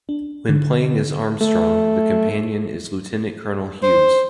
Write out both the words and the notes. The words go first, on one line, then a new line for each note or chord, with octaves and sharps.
When playing as Armstrong, the companion is Lieutenant Colonel Hughes.
D4
D3
A3
C5